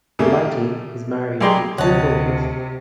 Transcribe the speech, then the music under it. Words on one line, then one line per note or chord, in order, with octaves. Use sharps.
Lighty is married with two daughters.
A2 C#3 G3 A3 A#3
B1 G4 G#4 D5 A#5 C6
D2 C3 C#5 D#5 F#5 A5